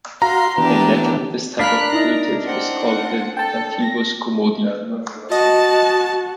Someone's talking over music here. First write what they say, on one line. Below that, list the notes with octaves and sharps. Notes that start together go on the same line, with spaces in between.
In Latin this type of dative is called the "dativus commodi".
F#4 F5 A#5 C6
E3 B3 D4 G4
D4 A#4 F5 B5 F#6 B6
D#4 E4 D#5 A#5
C4 F#5
A4 G5 A5
A#6
F#4 D#5 A5